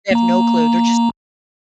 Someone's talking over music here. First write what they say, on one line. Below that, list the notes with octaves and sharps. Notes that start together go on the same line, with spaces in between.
They have no clue, they're just
A#3 A#5